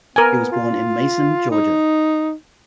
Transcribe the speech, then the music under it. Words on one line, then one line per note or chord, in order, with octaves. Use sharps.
He was born in Macon, Georgia.
B3 A#4 G#5
F4
D#4